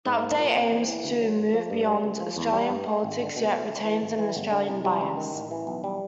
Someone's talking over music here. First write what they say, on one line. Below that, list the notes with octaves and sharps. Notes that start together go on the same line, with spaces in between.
The update aims to move beyond Australian politics, yet retains an Australian bias.
G#2
A#3
A#2
C4
E2
E3
D2
F#3
G#1
F3
G2
G3
C#2
F3
E2
G3
G2
A3
G#1
D3
B2
A3
C#2
E3
G#1
E3
G1
D3
C2
G3
C#2
D#3
A1
E3
B1
G3